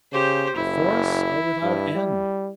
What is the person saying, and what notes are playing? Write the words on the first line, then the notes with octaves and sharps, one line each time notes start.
The forests are without end.
C#3 G4 C5
F#1 E4
G2
G3